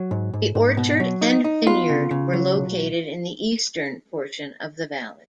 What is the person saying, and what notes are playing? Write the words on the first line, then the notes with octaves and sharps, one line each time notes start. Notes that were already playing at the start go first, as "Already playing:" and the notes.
The orchard and vineyard were located in the eastern portion of the valley.
Already playing: F#3
G#2
G#2
G#2
B2
F#3
D#4
D#4
B3 F4
C#3
C#3
F#3
B1